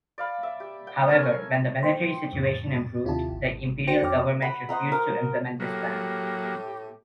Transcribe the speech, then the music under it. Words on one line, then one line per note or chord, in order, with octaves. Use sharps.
However, when the military situation improved, the imperial government refused to implement this plan.
D5 F5 B5
E5
G4
G5
C#4 A4 A#4 G#5
C#6
C5 G5 C6
F2 A2 A6
D#2 C3 E4 F4 G4 A5
G#1
F#4 C5 G5 A#6 C#7
F2 C#5 G5 D6 F6
F#5 B5
C5 D#5 F#5 A#5
A#4
A2 F#3 A#3 G4